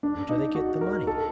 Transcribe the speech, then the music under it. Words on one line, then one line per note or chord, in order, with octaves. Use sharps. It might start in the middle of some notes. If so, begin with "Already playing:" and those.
"Where do they get the money?"
D4
D#4
F#4
A#4
A4